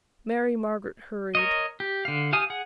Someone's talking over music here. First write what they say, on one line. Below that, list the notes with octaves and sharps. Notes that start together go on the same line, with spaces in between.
Mary Margaret hurried.
A#4 C#5 D#5
G4
D3 F5
G4 F5 G#5 D#6
G#4 F#5